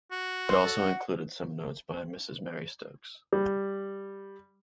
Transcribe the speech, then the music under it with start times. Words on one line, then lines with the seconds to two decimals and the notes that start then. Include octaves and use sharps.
It also included some notes by Mrs. Mary Stokes.
0.12 F#4
0.48 C6
0.64 A4
0.79 F#5
3.33 G3